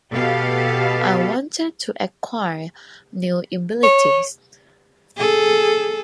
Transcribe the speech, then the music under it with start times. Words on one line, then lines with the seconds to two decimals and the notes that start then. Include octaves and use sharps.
I wanted to acquire new abilities.
0.13 B2 B3 G4 A4 F5
3.83 C#5
5.17 G#4 A4